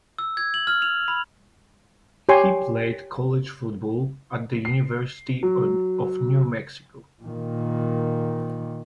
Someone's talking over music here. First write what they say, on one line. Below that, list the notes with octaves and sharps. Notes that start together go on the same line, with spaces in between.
He played college football at the University of New Mexico.
E6
G#6
F#7
F6
F7
B5
G4 C#5 G#5 C6
C7
F#3
A#2 D#3